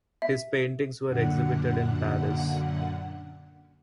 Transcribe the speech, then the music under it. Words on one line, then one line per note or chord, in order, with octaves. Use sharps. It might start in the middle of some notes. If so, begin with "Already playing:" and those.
His paintings were exhibited in Paris.
E5
F#2 A#2 D3 F#5